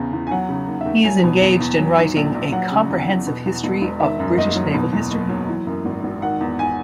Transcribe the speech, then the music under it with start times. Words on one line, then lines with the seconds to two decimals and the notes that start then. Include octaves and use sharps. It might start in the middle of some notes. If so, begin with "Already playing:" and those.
He is engaged in writing a comprehensive history of British naval history.
Already playing: E2 C#3 E3
0.13 E2
0.27 G#5
0.31 F#3 F#5
0.49 C#3
0.68 D#2
0.81 D#2 E5
1.04 F#3 G#5
1.24 B2
1.41 E2
1.60 E2
1.79 F#3
1.97 G#2
2.16 A#1
2.34 A#1
2.52 F#3 F#5
2.72 C#3
2.90 E2
3.07 E2
3.27 B2
3.45 E2
3.64 E1
3.82 E1
4.00 D#3 E5
4.19 F#2
4.37 F#1 D#5
4.55 F#3
4.74 B2
4.92 E2
5.11 F#1
5.29 F#3
5.49 E3
5.67 F#2
5.85 G#1
6.04 G#1
6.22 D#3 F#5
6.41 E2
6.59 G#5